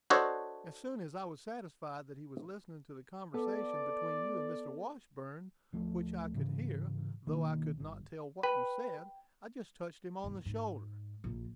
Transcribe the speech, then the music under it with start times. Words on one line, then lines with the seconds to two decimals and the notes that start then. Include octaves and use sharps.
As soon as I was satisfied that he was listening to the conversation between you and Mr. Washburn, which I could hear, though I could not tell what you said, I just touched him on the shoulder.
0.10 D4 F#4 A4 C5 C#5 D#5
3.34 B3 A4 D5
5.73 D1 F3 A3
6.34 G#2 C#3 E3
7.27 B1 D#3 A#3
7.80 G1
8.43 B4 G5
10.23 E2 G#2
10.46 G#2
11.24 A#1